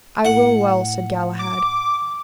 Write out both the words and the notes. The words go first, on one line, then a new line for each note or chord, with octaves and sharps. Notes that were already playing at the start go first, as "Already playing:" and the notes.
I will well, said Galahad.
A2 F#5
D6